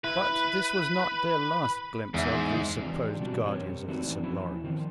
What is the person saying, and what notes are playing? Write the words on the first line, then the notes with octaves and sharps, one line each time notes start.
But this was not their last glimpse of the supposed guardians of the St. Lawrence.
E4 B4
E2 G#2 E5
E3 C4 D4 F4 G4
B2 G3 D4 F#4 G4
C4 G4 A#4 C#5
E3 A3 C4 D4 D#4 F#4
F3 C#4 E4
D#3 F3 C4